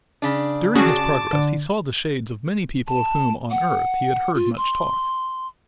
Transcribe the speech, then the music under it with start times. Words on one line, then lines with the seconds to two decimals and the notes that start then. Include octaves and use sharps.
During his progress he saw the shades of many people of whom, on earth, he had heard much talk.
0.22 C#3 D4
0.75 C#4 F#4 G#4 A5 D6
1.33 D3
2.88 A5
3.51 F#5
4.35 F4
4.57 C6